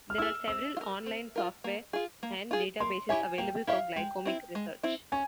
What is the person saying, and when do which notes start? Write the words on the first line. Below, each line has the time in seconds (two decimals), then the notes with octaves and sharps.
There are several on-line software and databases available for glycomic research.
0.10 F6
0.18 E4 G#4 E6
0.48 C4 E6
0.77 F4
0.81 A#4
1.06 C4
1.36 F4 A#4
1.64 A#3
1.93 F4 G#4
2.23 A#3
2.51 F4 G#4
2.80 A#3 C6
3.09 E4 G4 C#5 E5 G#5
3.38 A#3 G5
3.67 E4 G4 C#5 E5 F5
3.96 G#3 G5
4.25 C4 E4
4.55 G#3
4.83 C4 E4
5.12 C#4 G#5